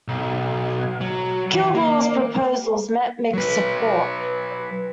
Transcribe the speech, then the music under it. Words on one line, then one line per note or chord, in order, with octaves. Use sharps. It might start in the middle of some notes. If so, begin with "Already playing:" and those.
Kilgore's proposals met mixed support.
B1
F#3
E3
A#3
F#3 B4